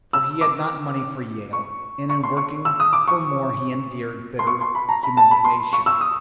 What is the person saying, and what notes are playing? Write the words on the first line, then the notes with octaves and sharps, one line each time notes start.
For he had not money for Yale, and in working for more he endured bitter humiliation.
E6
D6
C#6
C#6
C6
C#6
E6
D#6
D6
C#6
C6
C#6
C6
B5
A#5
B5
A5
B5
C6
C#6
E6
D#6